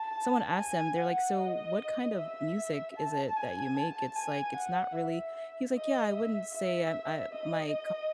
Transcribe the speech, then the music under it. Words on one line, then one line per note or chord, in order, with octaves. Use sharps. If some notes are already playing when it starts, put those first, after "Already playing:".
someone asked him, they're like, "So what kind of music is it that you make? It's like it's not really" He was like, "Yeah, I wouldn't say, uh, uh, my
Already playing: A5
G#5
F#5
D#5
E5
A5
G#5
A5
G#5
F#5
E5
D#5
E5
E5
D#5